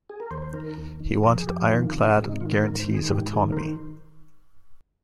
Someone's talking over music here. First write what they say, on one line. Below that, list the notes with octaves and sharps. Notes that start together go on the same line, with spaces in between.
He wanted 'iron clad guarantees of autonomy'.
G#4
A#4
D#2 C5
C5
D#3 A#4
D#2
D#3
F2 A#4
G#4
F2 G4
D#3 F4
C3
G#2 G#4
D#4
D#3 F4
F4
G#2 A#4
C5
D#3
G#4
G#2 G4
D#3 G#4
A#4
C5